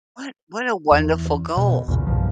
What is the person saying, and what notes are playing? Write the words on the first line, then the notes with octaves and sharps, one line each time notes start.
What what a wonderful goal, a
E2
B2
B1 E2 A#2 C#3
B1 G2 A#2 F3